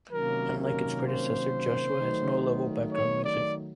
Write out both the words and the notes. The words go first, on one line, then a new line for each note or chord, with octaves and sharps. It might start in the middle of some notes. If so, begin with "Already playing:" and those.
Unlike its predecessor, "Joshua" has no level background music.
C3 D#3 F#3 A#3 C#4 A#4
A#4
C5
D#3 F#3 A3
C#5
D5